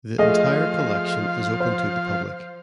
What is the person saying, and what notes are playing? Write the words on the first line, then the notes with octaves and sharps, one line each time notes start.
The entire collection is open to the public.
F3 A3 G#4 D#5 F5
C5